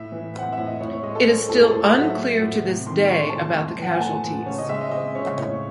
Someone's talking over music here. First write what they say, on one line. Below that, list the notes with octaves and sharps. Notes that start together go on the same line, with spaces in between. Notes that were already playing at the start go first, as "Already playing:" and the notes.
It is still unclear to this day about the casualties.
Already playing: A2 E5
E3
C4 F#5
E5
A2
D#5
A2 C#5
C#5
G#3 D#5
A4
C#4 C5
A2 A4
G#4
A4
A2 C5
F#5
F#3 E5
A3
A2
C3
D#3 C6
G#3 C#6
C6
C3 A5
C6
A2
E3 F#5
G#5
A3 A5
A2
C#3 C#5
D#5
G#3 E5
D#5
C4 D#5
C#3 C#5
A2 C#5